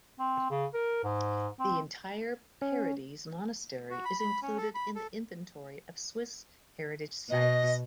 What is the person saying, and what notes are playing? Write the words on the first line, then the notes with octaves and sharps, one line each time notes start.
The entire "Paradies" monastery is included in the Inventory of Swiss Heritage Sites.
C4
C#3
A#4
G#2
C4
C#4
F#4
B5
B5
C#4
A4
B5
A4
B2 D#5